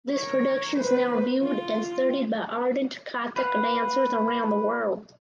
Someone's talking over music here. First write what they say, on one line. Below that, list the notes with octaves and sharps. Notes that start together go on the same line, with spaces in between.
This production is now viewed and studied by ardent Kathak dancers around the world.
A#4 C#5
B4 C5
F4
B4 F5 F#5